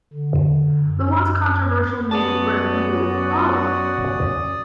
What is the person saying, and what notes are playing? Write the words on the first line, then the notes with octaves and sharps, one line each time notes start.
The once controversial nude revue Oh!
D3
F#2
F#2 B3 C#4 F#4 D5 A5 D#6